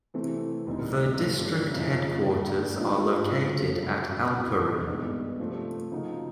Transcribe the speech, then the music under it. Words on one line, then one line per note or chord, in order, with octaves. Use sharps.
The district headquarters are located at Alpuri.
C3 E3 A3 C4 E4
D2 D3 G3 C4 D#4
G2 D3 F3 A3 C#4
F#2 C#3 F3 A#3 D#4
G2 D3 F#3 A#3
G#2 F3 A3 D4 F4
C#3 F#3 A3 C4 F4
F#2 C#3 F#3
C2 A#2 G3
G2 D#3 G#3 B3 D4
C3 F3 A3 C4
C#3 F3 A#3 D#4 F#4